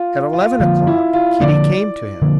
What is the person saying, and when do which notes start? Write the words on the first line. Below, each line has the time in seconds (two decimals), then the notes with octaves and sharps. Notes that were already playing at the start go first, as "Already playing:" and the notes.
At eleven o'clock Kitty came to him.
Already playing: F4
0.33 F4
0.60 D3 F3 A#3 F4
0.87 E4
1.14 F4
1.40 D3 F3 A#3 D5
2.21 D3 F3 A#3